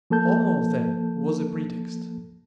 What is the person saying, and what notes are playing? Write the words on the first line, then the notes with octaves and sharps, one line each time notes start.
Homo, then, was a pretext.
F3 A#3 A4 A5 G6